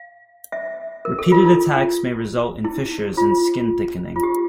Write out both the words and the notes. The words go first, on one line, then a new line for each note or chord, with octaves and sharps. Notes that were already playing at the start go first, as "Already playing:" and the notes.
Repeated attacks may result in fissures and skin thickening.
Already playing: F5
E5
A#4
A4
F4
E4
E4
F4
F4
G4